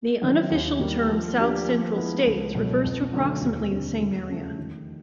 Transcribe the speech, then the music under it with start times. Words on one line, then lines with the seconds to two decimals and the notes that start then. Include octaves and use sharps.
The unofficial term South Central States refers to approximately the same area.
0.22 D#3 F#3
0.50 D#2
0.79 D#3 G3 A#3
1.09 F3
1.38 A#3 D4 G4
1.68 F3
1.96 G#3 B3 E4
2.25 C#2
2.54 B2 F#3
2.84 F2
3.13 D3 F#3 A3
3.41 D#2
3.71 D3 G3 C4
3.99 E2
4.29 C#3 F3 A3
4.58 D#3